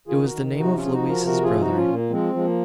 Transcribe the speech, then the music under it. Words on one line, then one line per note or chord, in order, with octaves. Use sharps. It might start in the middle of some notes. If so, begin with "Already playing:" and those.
It was the name of Louise's brother.
D#3 F4 G#4
F#4 A#4
D#3
C3
D#4 F#4
F3 C#4 F4
G#4
D#4 F#4
F3
F#4 A#4
C3
F#4 A#4
F3 F4 G#4
D#4 F#4
F3
C#4 F4
A#2
A#3
F3 G#3 C4
F3 G#3
A#3